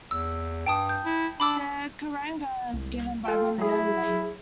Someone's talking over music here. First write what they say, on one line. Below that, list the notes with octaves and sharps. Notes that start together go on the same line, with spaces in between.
The karanga is given by women only.
E2 E6
G2 G5 A5 D#6
G6
E4
D4 B5 D6 E6
C2
F4 A4 G5
F#3 E4 G#4